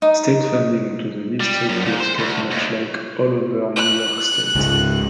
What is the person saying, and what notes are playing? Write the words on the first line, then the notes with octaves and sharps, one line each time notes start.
State funding to the district was cut much like all over New York State.
D#4
G3
F#2
A#2
C5
D2
D#2
F#6
C#2 G#2